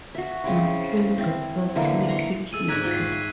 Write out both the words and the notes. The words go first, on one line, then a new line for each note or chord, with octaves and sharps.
You killed the soft little kitty.
F#4 E5
C#3 C4 E4
C4 E4
D3 E3 A#3 E5
A#5 C6 C#6
G#4 A4 E5 E6 D#7
G#2 A#4 D5 A#5 F#6 G#6 B6
F4 F#4 G5
D6 C7
E5 C7